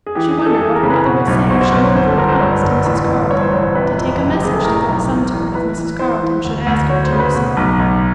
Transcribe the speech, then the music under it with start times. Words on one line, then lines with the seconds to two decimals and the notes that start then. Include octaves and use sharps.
She wondered what her mother would say if she knew of her promise to Mrs. Carleton to take a message to Fort Sumter if Mrs. Carleton should ask her to do so.
0.07 G#4
0.15 E3 G4
0.31 G#4
0.38 E3
0.46 A4
0.55 G#4
0.61 E3 A4
0.75 A#4
0.83 C#3
0.90 B4
1.06 B2
1.27 B1
1.50 B2 C5
1.61 C5
1.72 B1 B4
1.84 C#5
1.95 G1 C5
2.07 A4
2.17 G1 A#4
2.29 C5
2.40 G2 C#5
2.63 G1
2.85 A1
3.08 A1
3.30 G2 C#5
3.41 C5
3.53 A1 C#5
3.64 C5
3.74 C3 B4
3.97 F2
4.20 F#1
4.33 G4
4.42 C3 G#4
4.54 A4
4.64 A2 A#4
4.88 B1
5.10 E3
5.32 E3
5.55 E3 B4
5.77 E3
5.99 E3 C5
6.22 E3
6.44 D2
6.66 D2
6.89 D2 C#5
7.04 C5
7.13 C#3
7.19 B4
7.35 B2
7.57 B1
7.79 B1